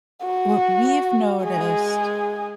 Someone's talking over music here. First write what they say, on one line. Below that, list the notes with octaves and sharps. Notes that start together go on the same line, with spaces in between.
what we've noticed
F#4
G#3 G#4